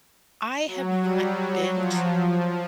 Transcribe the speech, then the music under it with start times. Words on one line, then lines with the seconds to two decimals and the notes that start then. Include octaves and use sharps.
I have not been to
0.67 F#3
1.03 G3
1.37 F#3
1.73 F3
2.07 F3